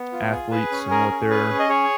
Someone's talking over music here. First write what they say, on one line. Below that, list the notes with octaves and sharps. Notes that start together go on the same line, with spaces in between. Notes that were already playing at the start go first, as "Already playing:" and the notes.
athletes and what they're
Already playing: B3
F4
G#4
G#4 B4
C#4
G#4 A#4
C#4
G#4 B4
C#4
D#5
G#4 C#5